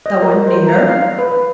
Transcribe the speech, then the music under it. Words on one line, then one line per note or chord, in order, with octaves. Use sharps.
No one near.
D#5
A#4
C5
A#5
F5
B4